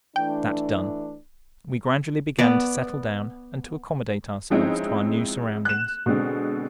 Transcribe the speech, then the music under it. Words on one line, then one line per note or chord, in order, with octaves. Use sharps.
That done, we gradually began to settle down and to accommodate ourselves to our new surroundings.
E3 A3 D4 G5
B3 D5
F3 G#3 C4 C#4 D#4 E4
F#6 E7
B2 D3 G#3 C4